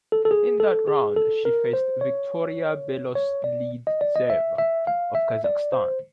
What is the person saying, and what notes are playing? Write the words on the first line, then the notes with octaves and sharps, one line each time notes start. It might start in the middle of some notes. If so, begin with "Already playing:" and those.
In that round, she faced Viktoriya Beloslydtseva of Kazakhstan.
A4
A4
G#4
A4
G#4
A4
A#4
C5
C#5
C#5
D5
D#5
D5
D#5
E5
E5
F5
E5
D5
C5